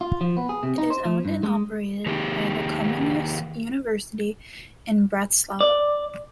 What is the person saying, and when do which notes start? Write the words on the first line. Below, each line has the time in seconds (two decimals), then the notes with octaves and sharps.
It is owned and operated by the Comenius University in Bratislava.
0.01 F4
0.21 F3
0.37 B3
0.49 G#4
0.63 C3
0.78 D#4
0.90 C5
1.05 F3
1.25 G2
1.43 G#3
2.06 D#3 A#3 D#4 G4 G#4
5.61 D5